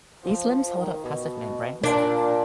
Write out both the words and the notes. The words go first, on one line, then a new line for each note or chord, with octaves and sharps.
These limbs hold up passive membranes.
F3
F3
D#3
B2
A#2 D4